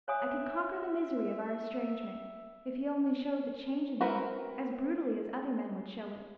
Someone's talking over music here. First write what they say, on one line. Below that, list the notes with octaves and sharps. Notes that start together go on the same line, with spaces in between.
I could conquer the misery of our estrangement, if he only showed the change in him as brutally as other men would show it.
C#5 E5 F5 G#5 D#6 F#6
C4 E4 F#4 A#4 B4